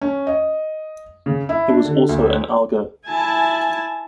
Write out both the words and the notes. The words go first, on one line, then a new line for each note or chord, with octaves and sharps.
He was also an augur.
C#4
D#5
C#3
E4
D4
D3
D2
E4 G#5 A5